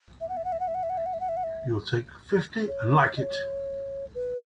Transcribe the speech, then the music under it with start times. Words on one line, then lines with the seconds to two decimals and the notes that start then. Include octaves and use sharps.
You'll take fifty and like it!
0.21 E5
0.29 F#5
0.37 E5
0.45 F#5
0.52 E5
0.60 F#5
0.68 E5
0.74 F#5
0.83 E5
0.90 F#5
0.97 E5
1.06 F#5
1.13 E5
1.20 F#5
1.29 E5
1.37 F#5
1.43 E5
2.67 C#5
3.16 D#5
3.21 C#5
4.15 B4